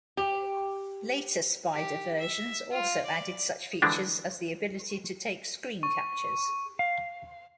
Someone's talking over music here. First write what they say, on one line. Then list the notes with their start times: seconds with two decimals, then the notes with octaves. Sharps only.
Later Spider versions also added such features as the ability to take screen captures.
0.17 G4
1.73 G4
2.18 E5
2.71 F4
3.05 D5
3.82 D3 E3 F3 G#3 D4
5.83 C#6
6.79 F5